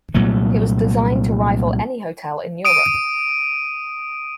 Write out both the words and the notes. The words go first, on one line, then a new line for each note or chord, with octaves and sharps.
It was designed to rival any hotel in Europe.
C2 A#2 F#3 A3
D#6 D7 D#7